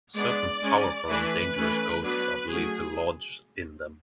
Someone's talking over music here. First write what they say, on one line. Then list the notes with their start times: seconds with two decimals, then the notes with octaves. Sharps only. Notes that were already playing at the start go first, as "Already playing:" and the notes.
Certain powerful and dangerous ghosts are believed to lodge in them.
0.15 G#3 B3 D4 D5
0.62 G#3 C#4
1.09 E3 A3 D4 B4
1.56 E3 A3 C#4
2.03 F#3 B3 D4 B4
2.50 F#3 A3 C#4 G#4